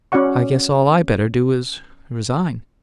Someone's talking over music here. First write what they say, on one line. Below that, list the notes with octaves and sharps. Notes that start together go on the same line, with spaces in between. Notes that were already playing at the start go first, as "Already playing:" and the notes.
"I guess all I better do is--resign!"
C#4 F#4 D5 F#5 C#6